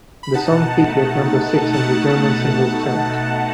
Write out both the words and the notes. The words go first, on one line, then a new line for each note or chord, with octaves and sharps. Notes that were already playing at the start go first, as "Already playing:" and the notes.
The song peaked at number six on the German Singles Chart.
B5
D#4 F#5 A5
B2
B2
A3
D#4
B2
B2
A3
D#4 F#5 A5
B2
B2